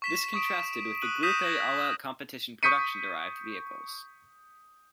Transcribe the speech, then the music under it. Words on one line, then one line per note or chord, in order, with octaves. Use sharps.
This contrasted with the Group A all-out competition production-derived vehicles.
C#6 B6 E7
C#6 D#6 D7
D#6 F#6 D#7 F#7
D#6 G6 A#6 B6 D#7 E7
G#6 A#6 D#7 E7 F#7
C#6 D#6 G6 B6 C#7 D#7